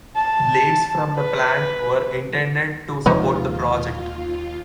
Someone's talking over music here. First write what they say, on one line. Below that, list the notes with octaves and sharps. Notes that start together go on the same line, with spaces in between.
Blades from the plant were intended to support the project.
A5
B4
D#2 C3 F3 G#3 D#4 F4 B4 C#5